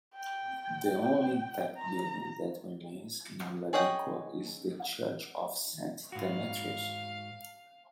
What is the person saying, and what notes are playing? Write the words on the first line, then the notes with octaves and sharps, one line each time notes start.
The only intact building that remains in Ladiko is the church of Saint Demetrius.
G5
A#5
G#4 C#5 D#5 F#5 G5
G#2 F#4 F5